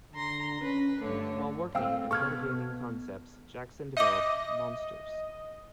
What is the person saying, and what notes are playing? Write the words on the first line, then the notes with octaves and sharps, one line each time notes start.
While working at Metagaming Concepts, Jackson developed Monsters!
D3 A#5 C6 A#6
C#4 B4
G2 D3 A3 C#5
A3 C4 F5 G5 E6
B2 A4 C#6 F6 G#6
D#5 E5 D6